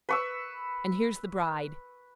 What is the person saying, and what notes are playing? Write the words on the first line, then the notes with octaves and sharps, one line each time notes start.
And here's the Bride!
B4 C#6 E6